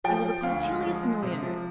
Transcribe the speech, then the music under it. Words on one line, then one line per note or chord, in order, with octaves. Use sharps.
He was a punctilious millionaire.
F3 G5
F3
D2 F5
G#3
F3
G#3
C3
F3